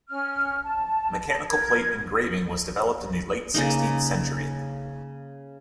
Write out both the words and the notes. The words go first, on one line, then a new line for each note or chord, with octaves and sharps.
Mechanical plate engraving was developed in the late sixteenth century.
C#4 F6
A5
A#4 G#6
C#3 A#3 D#4